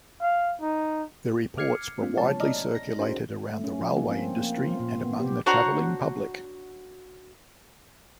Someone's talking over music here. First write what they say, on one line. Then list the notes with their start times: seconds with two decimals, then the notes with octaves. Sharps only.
The reports were widely circulated around the railway industry, and among the travelling public.
0.21 F5
0.61 D#4
1.57 D6 F6 G#6 C7 C#7
2.01 A3 A#3 C4 D4 F4
2.18 B2 F3 G#3 C#5 A5
2.40 D5 D#5 A#5 F6
2.75 A#6
2.99 C#4 D#4 F#4 G#4 A#4 C5
3.50 A3
3.64 C#4
3.81 F3
3.97 A#3
4.11 C4
4.37 A#3
4.58 F4
4.79 A#2
5.02 B3
5.20 G4
5.46 D4 F#4 C5 C#5 F#5 A#5